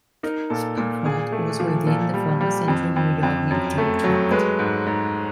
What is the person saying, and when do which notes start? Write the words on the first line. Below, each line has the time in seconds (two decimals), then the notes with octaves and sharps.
Spafford was within the former Central New York Military Tract.
0.23 D#4 A#4
0.50 A#2 A4
0.77 A#2
1.05 A#2 G#4
1.32 A3
1.60 F3
1.86 A#2 A4
2.14 G3
2.41 G3
2.68 F2
2.96 F2
3.23 F2
3.51 F#2
3.78 A3
4.04 F#3
4.31 G#3 B4
4.59 G#2
4.86 G#2